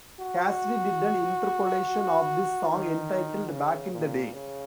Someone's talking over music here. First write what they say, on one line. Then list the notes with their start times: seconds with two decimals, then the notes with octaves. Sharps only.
Cassidy did an interpolation of this song entitled "Back in the day".
0.20 F#4
2.68 D#3
3.51 C#3
3.92 A#2
4.33 C#3